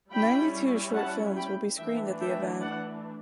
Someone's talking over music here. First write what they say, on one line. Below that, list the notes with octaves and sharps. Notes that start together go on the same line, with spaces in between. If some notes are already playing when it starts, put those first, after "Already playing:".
Ninety two short films will be screened at the event.
G3 C#4 E4 G5 B5
F#5 A5
G5 B5
E3 A3 D4 E5 G5
E5 G5
D5 F#5